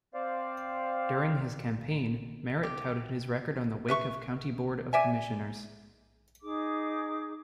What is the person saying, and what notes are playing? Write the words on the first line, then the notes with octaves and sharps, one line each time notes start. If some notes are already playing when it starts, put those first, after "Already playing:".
During his campaign, Merritt touted his record on the Wake County Board of Commissioners.
C4 C5 D5 F5
G4
B4 E5 C#6
D5 E5 G#5
D#4 G#4 D6